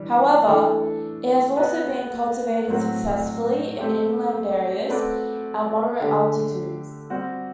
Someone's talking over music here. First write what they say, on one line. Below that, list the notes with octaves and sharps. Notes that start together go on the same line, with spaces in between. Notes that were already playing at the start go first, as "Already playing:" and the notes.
However, it has also been cultivated successfully in inland areas at moderate altitudes.
Already playing: E3 G3 D4
E3 A3 D4 A4
B3 F#4 B4
A2 F#3 C4 F#4
A3 C4 G4
A3 C4 F#4 B4 D5
D3 A3 D4 G4
G3 C4 F#4